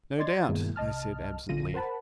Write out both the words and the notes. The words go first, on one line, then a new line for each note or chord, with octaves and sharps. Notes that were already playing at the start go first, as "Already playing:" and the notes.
"No doubt," I said absently.
D5 D#5 C6 G#6 A6
G2 B2 D#3 G#3 A#3 E4
C2 D#5 A5 F6
A#1 D3 F4 A#6 D#7
A#4 C5 F#5 A5 B5